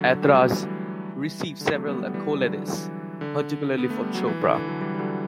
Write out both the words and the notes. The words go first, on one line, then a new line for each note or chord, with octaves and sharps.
"Aitraaz" received several accolades, particularly for Chopra.
D3 F#3
G3
F#3 A3
E3 G3
D3
F#3 A3
G3 B3
G3 B3
E3 G3
D3 F#3
E3
D3
B3
A3
G3
F#3
E3
D3
E3
D3 F#3
E3 G3
G3
D3 F#3